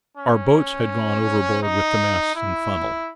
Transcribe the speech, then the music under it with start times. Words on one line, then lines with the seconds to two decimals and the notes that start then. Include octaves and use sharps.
Our boats had gone overboard with the masts and funnel.
0.17 C#4
1.63 D#4
2.35 E4